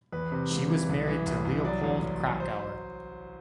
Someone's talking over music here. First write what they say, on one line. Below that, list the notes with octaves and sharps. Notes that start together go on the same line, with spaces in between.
She was married to Leopold Krakauer.
E2 B4
C3
E1
E3
C2
E3
C2
C2
F#3 D5
A1
A1
F#3
C5